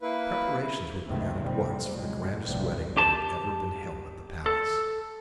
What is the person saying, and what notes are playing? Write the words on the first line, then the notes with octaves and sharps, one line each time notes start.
Preparations were begun at once for the grandest wedding that had ever been held at the palace.
A#3 E4 B4
C#2 C3 D#3 E3 A3 C4
A#1 F2 C3 F3 G3 C4
A2 C3 F#3 G#3
B1 C3 F3 G3 A3
G4 A5
A4